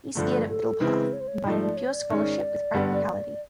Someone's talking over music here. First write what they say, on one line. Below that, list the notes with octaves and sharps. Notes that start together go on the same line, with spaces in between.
He steered a middle path, combining pure scholarship with practicality.
G2 D3 F3 A3 A4
A4
C#3 E3 G#3 C4 E4 B4
C#5
C5
C#5
G#2 F3 A3 D#5
D5
C#5
D5
G#2 D#3 G#3 C#4
G2 D3 G3 B3